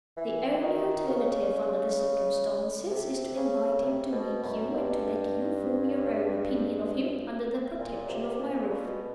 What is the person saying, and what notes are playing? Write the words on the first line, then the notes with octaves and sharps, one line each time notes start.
The only alternative under the circumstances is to invite him to meet you, and to let you form your own opinion of him--under the protection of my roof.
E3
D#3
C#3
C3
C#3
C3
B2
F#2
G2
A#2
C3
A#2
B2